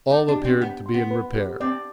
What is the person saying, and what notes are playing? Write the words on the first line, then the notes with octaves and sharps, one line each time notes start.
All appeared to be in repair.
D#4 D5
D4
G4
C4
B3 G5
C6
B3
B4
G4
C4 D5